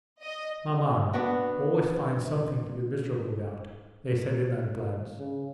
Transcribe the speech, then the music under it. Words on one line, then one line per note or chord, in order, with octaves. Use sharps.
"Maman always finds something to be miserable about," they said in that glance.
D#5
B3 D4 F#4
C#3